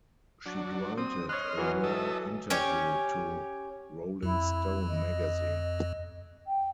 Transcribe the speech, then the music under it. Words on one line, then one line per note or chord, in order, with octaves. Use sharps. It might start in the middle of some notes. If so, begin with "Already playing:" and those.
She granted a rare interview to "Rolling Stone" magazine.
F#3 D4
C4 D#6
C#5 D#5 C6 F6 F#6
E3 F#3 F#4
A4 D#5 E5
C#4 G4 C#5
F2 E4
D#5
G5